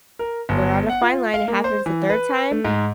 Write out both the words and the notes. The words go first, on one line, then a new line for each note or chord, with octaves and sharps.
we're on a fine line. It happens a third time,
A#4
G1
F#5
F4
F5
A#3
C5
E3
B4
A3
G#2